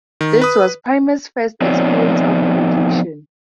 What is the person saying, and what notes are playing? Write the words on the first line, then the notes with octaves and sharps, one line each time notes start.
This was Primus' first experience of relegation.
D#3
B4 D#6
F3 B3 C4 D#4 C#5 D5